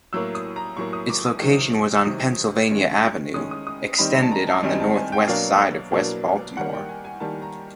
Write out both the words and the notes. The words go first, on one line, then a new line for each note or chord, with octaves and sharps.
Its location was on Pennsylvania Avenue "extended," on the northwest side of West Baltimore.
A2 F#3 A#3 E6
D#6
A#5
A2 F#3 A#3 C#6
D#6
D6
D#6
C3 D#3 F#3
C3 D#3 F#3 D#6
D#3 G#3 C#4
D#3 G#3 C#4 D#6
D#6
D#6
D#3 G3 C4 D#4 B5
A5
A#5
A5
D#3 G3 C4 D#4 G#5
A5
G#5
G5
B2 F#3 A#3 D4 F5
B2 F#3 A#3 D4
D#3 G3 A#3 F#5
G5
G#5
G#5
D#3 G3 A#3 A5
A#5